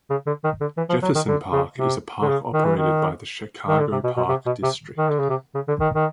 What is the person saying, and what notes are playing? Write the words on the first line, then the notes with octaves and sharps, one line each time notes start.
Jefferson Park is a park operated by the Chicago Park District.
C#3
D3
D#3
D3
E3
F3
F#3
D#3
D3
C#3
C3
D3
C#3
D#3
E3
D#3
D#3
D3
C3
B2
B2
C3
B2
C3
D#3
D3
C#3
C3
C#3
D3
D#3
D#3